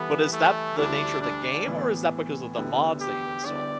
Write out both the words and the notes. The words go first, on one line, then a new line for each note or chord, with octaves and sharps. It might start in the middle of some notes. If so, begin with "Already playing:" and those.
But is that the nature of the game, or is that because of the mods that you installed?
Already playing: E3 G3 B3 E4 A4
A3
D2 D3 G3 D4 E4
D4
A2 E3 B3
D2 D3 B3 E4 G4
G4
D3 G3 B3 E4 D5